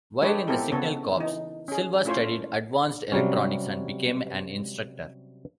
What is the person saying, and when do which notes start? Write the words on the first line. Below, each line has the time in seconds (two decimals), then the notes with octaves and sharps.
While in the Signal Corps, Silva studied advanced electronics and became an instructor.
0.22 G#3 D4 G4 A4 B4 C#5
0.47 B3 C4 E4 G4 A4 A#4
0.72 C#3 B3 A4 C#5
1.17 E3 D#4
1.68 C#4 G#4
2.05 A3 C#4 E4 F4 C5 C#5
3.12 C3 F#3 G3 C#4